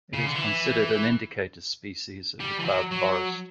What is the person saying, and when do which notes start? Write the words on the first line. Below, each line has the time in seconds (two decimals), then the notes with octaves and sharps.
It is considered an indicator species of the cloud forest.
0.13 C#3
0.25 D3
0.36 E3
2.40 G3
2.59 E3
2.65 F#3
2.91 F#3